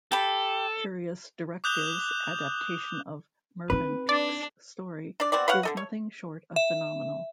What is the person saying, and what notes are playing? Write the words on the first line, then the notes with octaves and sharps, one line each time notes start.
Curious Directive's adaptation of Mervyn Peake's story is nothing short of phenomenal.
G4 A4 B5
D6 D#6 F#6 G6 F7 G7
C4 D#4 B4
D4 D5
D4 D5
B3 C4 F#4 D5
B4 C#5 F5 F#5
D3 A4 D#5
C#5
E5